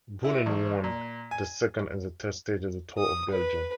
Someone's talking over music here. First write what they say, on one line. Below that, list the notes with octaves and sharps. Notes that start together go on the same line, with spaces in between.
Boonen won the second and the third stages of the Tour of Belgium.
E4
A1
A#2
G#5
D#6
B4